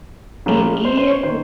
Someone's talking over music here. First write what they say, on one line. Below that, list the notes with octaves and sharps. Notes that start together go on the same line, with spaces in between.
It is.
A#1 A#2 G3 C#4 F4
C5
C5
C#5
D#3 C5